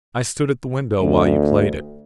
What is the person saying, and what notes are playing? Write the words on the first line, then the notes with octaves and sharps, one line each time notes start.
I stood at the window while you played it.
D2